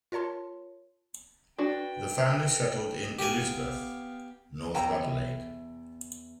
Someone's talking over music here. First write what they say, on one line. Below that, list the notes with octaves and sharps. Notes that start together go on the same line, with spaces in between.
The family settled in Elizabeth, north of Adelaide.
F4 A#4 C#5 A5 C6
D4 F#4 B4 D5 G5
B3 G4 F5 G#5
E2 G5 A#5